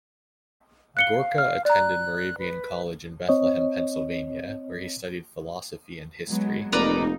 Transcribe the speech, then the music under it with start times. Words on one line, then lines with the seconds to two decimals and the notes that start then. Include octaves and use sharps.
Gorka attended Moravian College in Bethlehem, Pennsylvania, where he studied philosophy and history.
0.97 F5 F#6 C#7 G7
1.38 F6
1.65 D5 A#5 F#6
2.38 B4
3.29 C4 C#5 D#5
6.27 F#3 G#3 B3
6.72 F1 A#3 D#4 A#4 B4 D5